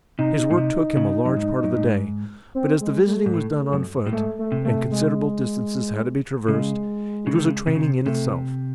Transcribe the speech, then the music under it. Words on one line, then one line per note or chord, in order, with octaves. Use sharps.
His work took him a large part of the day, but as the visiting was done on foot, and considerable distances had to be traversed, it was a training in itself.
C3 D#4
A2
C3
C#3
F#2
G#2
F#2
G#2
C4
G#3
A3
G#2
A2
F#2
A2
G#2 A3
A3
C3
A3
G#3
C#3 G#3
C#3
D#3
C#3
C3
C#3
C3
C3 A3